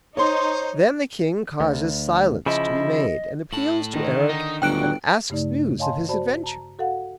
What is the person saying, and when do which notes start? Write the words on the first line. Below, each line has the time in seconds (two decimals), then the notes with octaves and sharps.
Then the King causes silence to be made, and appeals to Erec and asks news of his adventures.
0.17 D#4 C5 C#5 C6 C#6
1.61 D2
2.46 C#3 F3 E4 D#5
3.53 A2 A5 F#7
3.93 D3 D#3
4.29 D#4
4.62 G1 D2 F#3 G5 F#6 D7
5.30 G2 C#3 A3 D#4 D5
5.79 C#5 D#5 F5 G#5 A5 C6
6.08 F#4 C5 D5 A5 B5
6.44 A5 A#5
6.79 F#4 A4 F5 F#5